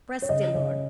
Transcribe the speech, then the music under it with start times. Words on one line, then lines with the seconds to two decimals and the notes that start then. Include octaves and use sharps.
Bress de Lord!
0.22 C#5
0.29 C#3 D#5
0.55 C#3